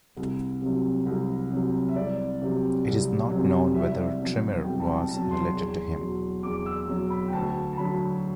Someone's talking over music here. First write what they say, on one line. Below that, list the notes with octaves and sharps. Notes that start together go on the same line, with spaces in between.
It is not known whether Trpimir was related to him.
C2
C3 F#3
C2
C3 F#3
E5
C2 D5
C3 F#3
C2
C3 F#3
C2 E5
D5
E5
B2 F#3
C2 G5
A5
G5
B2 F#3 A5
C6
E2
B2 F#3
E2 D6
E6
B2 F#3
B5
G5
D2 A5
A5
D3 F#3 B5